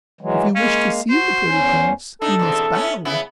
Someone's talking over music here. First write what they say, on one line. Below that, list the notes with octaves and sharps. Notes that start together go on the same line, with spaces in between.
If you wish to see the fairy prince you must bow.
E3 F#3 G#3
G#3 A#3 C#4 F5
F#4 C5
E2 C#4
D4 D#4 A4
E2 B2 C4
B3 C#4 E4
C#3 B3 E4